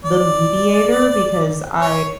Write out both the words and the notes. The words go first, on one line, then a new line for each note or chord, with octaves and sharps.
the mediator, because I
D5
C#5